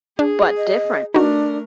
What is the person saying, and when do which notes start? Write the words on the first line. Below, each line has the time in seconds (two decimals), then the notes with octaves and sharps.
But different.
0.19 D4 G#4
0.57 D#5
1.14 A3 D4 D#4 F#4 A#4